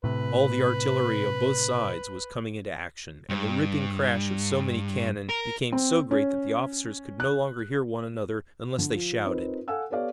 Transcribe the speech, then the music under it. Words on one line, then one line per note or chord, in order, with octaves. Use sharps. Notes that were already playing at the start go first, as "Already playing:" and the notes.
All the artillery on both sides was coming into action, and the ripping crash of so many cannon became so great that the officers could no longer hear one another unless they shouted.
A2 C3 B4
G2
A#4
C4
C#4
F#6
D3
F3
C4 D#4 F4 A#4 B4
A4 F5 F#5 G#5 E6
B3 G4 A4 C#5 D5 F5